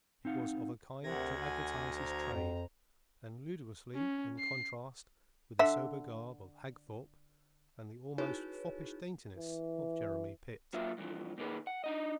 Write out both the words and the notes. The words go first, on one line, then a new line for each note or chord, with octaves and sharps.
It was of a kind to advertise his trade, and ludicrously in contrast with the sober garb of Hagthorpe and the almost foppish daintiness of Jeremy Pitt.
C4 D#4 F5 F#5
D2 C3 A#4 F#5 G#6 A#6
F#4 F#5 G#5
C5 A#5
F2
C#4
C7
D3 E5
D#4 E4 F#4 G#4 B4 C#5
E3
F#3 A#3 F4 E5
G2 E3 F3
A#2 D#3 A#3 G#4 B4
F#5
D4 D#4 D#5